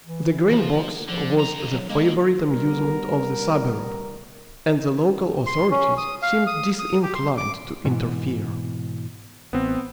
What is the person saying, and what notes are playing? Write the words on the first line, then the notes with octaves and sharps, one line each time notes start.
The Green Box was the favourite amusement of the suburb, and the local authorities seemed disinclined to interfere.
E3
F3
D3 F3
F2 A#5
F#3
G#3 A#3
G3 B3 A#4
C6
C#4
D#6
F5
D#6
D#6
G4
C6
D6
G#2 B2 E3
A1 B3 C4